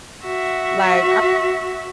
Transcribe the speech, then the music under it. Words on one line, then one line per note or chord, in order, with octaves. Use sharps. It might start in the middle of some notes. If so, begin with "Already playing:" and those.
Like, I
F#4 E5